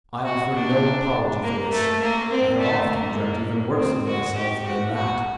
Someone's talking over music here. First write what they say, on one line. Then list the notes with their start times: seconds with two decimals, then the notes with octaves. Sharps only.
I offer no apology for this: I have often dreamt even worse of myself than that.
0.25 F#4
0.54 D4
1.42 A#3
1.71 A3
2.01 A#3
2.31 C4
2.59 A3
2.89 A#3
3.76 C4
4.06 F#4
4.35 G4
4.65 F#4
4.94 F#4